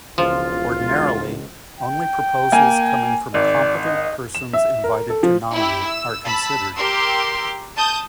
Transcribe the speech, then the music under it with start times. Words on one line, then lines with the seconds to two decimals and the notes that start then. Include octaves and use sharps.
Ordinarily, only proposals coming from competent persons invited to nominate are considered.
0.18 E1 C#2 F3 F4
1.80 G5
2.52 A#3 G#5
3.34 G#1 D5
3.83 D#5
4.35 E7
4.53 E5
4.84 A#4
5.10 A4
5.23 F3
5.53 E4 G4
5.84 E6
6.25 A5 B5 E6
6.75 G4 A#4 C6 E6
7.77 A5 D#6 G6